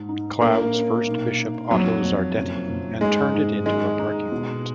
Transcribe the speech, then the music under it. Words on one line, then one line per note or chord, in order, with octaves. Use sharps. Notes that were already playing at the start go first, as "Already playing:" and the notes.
Cloud's first Bishop Otto Zardetti, and turn it into a parking lot.
Already playing: G#2
D#4
A#1 A#3
C#4
B1
D#4
F2 F#3
F2
F#1
F#1
G#2 G#3
G#2
D#3 G#3
D#4
B2